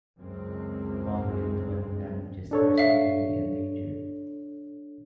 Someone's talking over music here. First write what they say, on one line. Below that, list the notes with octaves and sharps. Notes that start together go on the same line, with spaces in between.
All Wintuan languages are severely endangered.
C#2 F#2 G#3 C4
D4 A4 C#5
E5 F5